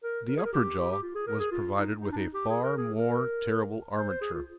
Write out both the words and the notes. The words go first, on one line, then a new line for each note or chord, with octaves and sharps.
The upper jaw was provided with a far more terrible armature.
A#4
A#4
G#4
A#4
G4
G4
F4
G#4
A#4
G#4
F4
D#4
D#4
D4
D#4
G4
G#4
A#4
G#4
A#4
C5
C5
G#4
F4